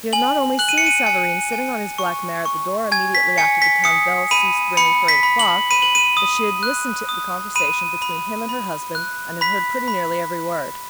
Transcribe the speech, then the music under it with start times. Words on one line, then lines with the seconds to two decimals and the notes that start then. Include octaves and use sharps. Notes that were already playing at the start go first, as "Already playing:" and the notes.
She had not only seen Savareen sitting on his black mare at the door, immediately after the town bell ceased ringing for eight o'clock; but she had listened to the conversation between him and her husband, and had heard pretty nearly every word.
0.13 G#5 F#7
0.59 F#6 F#7
0.69 D#7
0.78 C#7
0.86 D#7
1.06 G#5 C#7
1.52 G#5
1.98 C#6
2.45 C#6
2.92 G#5 G#6
3.15 B6
3.38 G#5 C#7
3.62 B6
3.84 D#6 C#7
4.31 B5 D#7
4.77 B5 C#7
5.08 B6
5.23 B5
5.39 F#7
5.71 B5 D#7
5.82 F#7
5.95 D#7
6.17 D#6
6.63 F#6
7.09 D#6
7.55 B5 D#7
8.02 B5
8.49 B5
8.95 F#6
9.41 B5 B6
9.88 B5